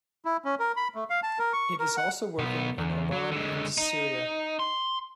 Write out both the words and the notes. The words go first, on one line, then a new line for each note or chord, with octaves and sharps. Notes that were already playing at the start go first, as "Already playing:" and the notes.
It is also working n Oman and Syria.
E4
C#4
A#4
B5
A3
F5
A5
A#4
C#6
A#4
F#5
B1 B3
E2
F#3
D3 G#3
D#4
C6